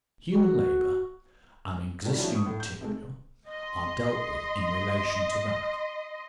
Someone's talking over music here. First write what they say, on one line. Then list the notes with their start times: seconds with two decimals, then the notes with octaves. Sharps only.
Human labour and existing material are dealt with in relation to that.
0.30 F#4
2.05 D#3 G3 A3 F#4
2.18 F3 C#4 D4 E4 F#4
2.35 C#6 D#6
2.46 A2
2.60 G6
2.81 C3 G#3 A3
3.48 D#5 C6